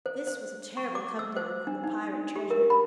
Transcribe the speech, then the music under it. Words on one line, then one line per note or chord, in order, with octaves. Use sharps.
This was a terrible come-down from a pirate treasure.
C5
C5
C#6
D6
E6
C5
D4
D#4
D4
G4
A#4
B5